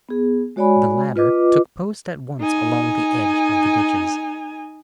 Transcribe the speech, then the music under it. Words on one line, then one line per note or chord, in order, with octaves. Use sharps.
The latter took post at once along the edge of the ditches.
B3 G#4
G#3 F#4 C#5 D5 G#5 B5
F4 B4 D#5 D6
D#4 G#5